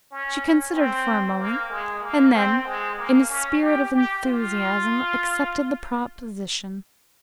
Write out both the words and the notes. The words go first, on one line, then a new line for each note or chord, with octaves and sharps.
She considered for a moment and then, in a spirit of enthusiasm, accepted the proposition.
C#4
C4
A#3
G#3
A#3
C4
G#3
A#3
C#4
G4
G4
F4